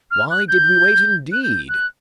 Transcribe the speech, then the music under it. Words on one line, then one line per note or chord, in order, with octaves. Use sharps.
Why did we wait, indeed?
F6
F#6
G6
F#6
G6
F#6